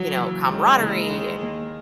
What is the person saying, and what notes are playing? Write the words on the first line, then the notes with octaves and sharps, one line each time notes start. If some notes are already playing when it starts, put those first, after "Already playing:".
you know, camaraderie and
Already playing: F#3
C#3 E3 A#3 E4
D#2 G#3
C#3 E3 A#3 E4
D#2
D#3 A#3